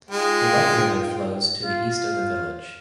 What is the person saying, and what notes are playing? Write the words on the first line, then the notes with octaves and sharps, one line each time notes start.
The White River flows to the east of the village.
G#3 D#4 F4 G5
F4